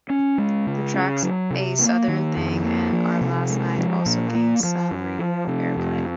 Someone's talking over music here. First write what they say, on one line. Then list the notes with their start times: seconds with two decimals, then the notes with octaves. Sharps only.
The tracks "A Southern Thing" and "Our Last Night" also gained some radio airplay.
0.10 C#4
0.38 G#3
0.67 C#3
0.94 C#4
1.23 F#3
1.50 C3
1.79 A#3
2.08 D#3
2.37 F2
2.64 A#3
2.93 F3
3.21 C3
3.49 G#3
3.78 F3
4.06 A#2
4.35 A#3
4.63 F3
4.91 F#2
5.19 F3
5.47 C3
5.76 F2